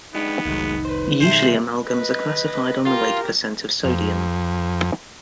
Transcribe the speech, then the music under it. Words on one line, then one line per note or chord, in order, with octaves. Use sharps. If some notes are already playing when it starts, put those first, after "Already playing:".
Usually amalgams are classified on the weight percent of sodium.
G#3 B3 D4 D#4 G4
F1 C2 D#3 F#3 G#3 A#3
B4 C5
B2 D#3 F#3 G4 G#4 C5 E5
B4 D#5
F4 G4 A#4
F2